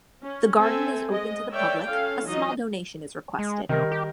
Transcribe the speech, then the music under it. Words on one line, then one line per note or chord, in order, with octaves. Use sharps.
The garden is open to the public, a small donation is requested.
C#4
C4 A4 E5 G#5
G#3 D#5
A#4 C#5 D5 E5 G5
C#4 F4 A4 F5
E3 F#3 D#4 F4 D#5
G#3
C3 D#3 G3 A#4
G4